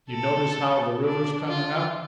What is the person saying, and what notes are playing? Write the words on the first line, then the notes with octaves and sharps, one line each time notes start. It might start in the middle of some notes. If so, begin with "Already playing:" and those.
Yuh notice how the river's coming up?
A4
D4
F4